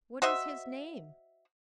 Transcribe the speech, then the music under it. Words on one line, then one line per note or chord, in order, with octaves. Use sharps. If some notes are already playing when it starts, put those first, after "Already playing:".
"What is his name?"
F#4 C5 D#5 E5